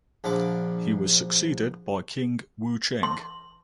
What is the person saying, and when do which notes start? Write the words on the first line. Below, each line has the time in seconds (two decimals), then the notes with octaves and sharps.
He was succeeded by King Wucheng.
0.24 A#1 D3 F3 D6
3.03 C6